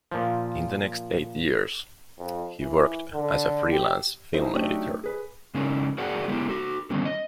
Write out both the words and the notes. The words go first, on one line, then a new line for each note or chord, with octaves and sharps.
In the next eight years, he worked as a freelance film editor.
A#2 F3
F2
E3
D3
G4
G3 D#4 E4 C5
F#3 A3 D4 D#4 G4
G#4 B4
C#3 G#3 C#4 D#4 A#4
F#4 G#4 A#4 B4 D5 F#5
G#3 B3 E4 G4
F#4 A4
D3 D#3 G3 B3 C#4
D#5